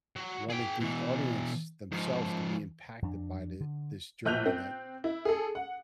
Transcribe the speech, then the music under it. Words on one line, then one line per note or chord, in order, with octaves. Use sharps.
wanted the audience themselves to be impacted by the this journey that
F#3
G#4 G5
B2 E3
G#2 F3
F2 D4
D3
A#1 F#6 G6 F7
C4
E4
G#4 A4
F#5